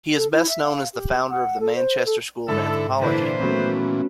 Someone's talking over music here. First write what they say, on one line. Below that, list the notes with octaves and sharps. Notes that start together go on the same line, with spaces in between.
He is best known as the founder of the Manchester School of anthropology.
A4
E4
E5
F5
G4
F#5
A4
C5
A4
G#2 D3 E4 A4
A#2 D3 E3 D4 E4 B4 C5
F#3 A3 B3 C#4